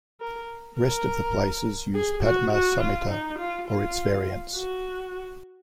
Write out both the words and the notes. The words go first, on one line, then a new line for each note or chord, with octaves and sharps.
Rest of the places use Padma samhita or its variants.
A#4
A#4
G#4
F#4
F#4
F4
D#4
F4
F4
F#4